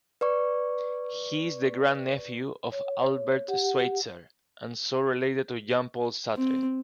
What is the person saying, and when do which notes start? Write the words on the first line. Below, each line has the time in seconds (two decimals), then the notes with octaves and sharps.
He is the grandnephew of Albert Schweitzer, and so related to Jean-Paul Sartre.
0.21 B4 D5 C#6
2.72 C#5
3.48 G4 F#5
6.37 C4